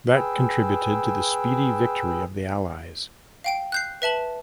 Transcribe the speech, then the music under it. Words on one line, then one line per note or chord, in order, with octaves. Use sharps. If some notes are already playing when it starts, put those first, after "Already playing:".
That contributed to the speedy victory of the Allies.
G#4 B4 G5 E6
F5 G5 D7
F#6 G6 C7
B4 E5 A5 F#7